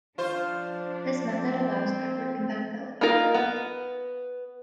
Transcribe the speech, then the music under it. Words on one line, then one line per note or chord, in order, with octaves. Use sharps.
This method allows backward compatibility.
F3 D4 F4 C5
C4
A#3 D#4 F4 A#4
B3